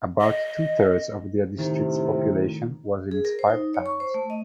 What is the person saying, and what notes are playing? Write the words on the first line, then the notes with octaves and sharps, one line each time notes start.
About two-thirds of the district's population was in its five towns.
D#5
A2 C3 D#3
G#4
A#4
C5
D#4
C#5
C#6
C5
A3
D#5